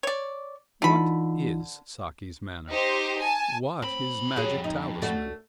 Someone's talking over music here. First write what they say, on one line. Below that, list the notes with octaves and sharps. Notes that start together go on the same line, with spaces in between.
What is Saki's manner, what his magic talisman?
C#5 D5
D3 E3 D#4 F4 B5
D#4 G4 C5
G#5 A5
F2 C4 B5
F#3 G#4
D#4
A3 D4 F#4